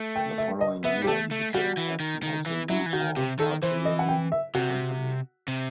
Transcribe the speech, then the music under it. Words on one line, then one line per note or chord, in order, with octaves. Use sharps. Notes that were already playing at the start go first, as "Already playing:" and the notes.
The following year he became captain of the Newport Artillery Company.
Already playing: A3
G5
E5
D#5
B3 E5
G3 G4
A3 A4
A3
G3 F#4
E3
D#3
D#3
E3
F#3 E4
E3
D#3 F#4
C3 G4
D#3 A4
E3 C5
D#5
F#5
G5
E5
C3 F#4
C3